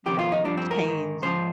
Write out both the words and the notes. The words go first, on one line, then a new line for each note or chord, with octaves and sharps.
you know, change, and
F2 D#3 G4
F4
D#4
G2 F3 D4
C4
A#4
G#2 D#3
G#2 F3 C5